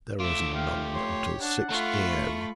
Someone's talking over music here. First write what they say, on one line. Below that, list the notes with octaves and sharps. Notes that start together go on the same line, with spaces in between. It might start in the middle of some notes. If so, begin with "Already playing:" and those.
There was none until six A.M.
A3 F4 E5 D6
G4 F5
C#5 C6
D4 F#5
A3 F4 B5 C#6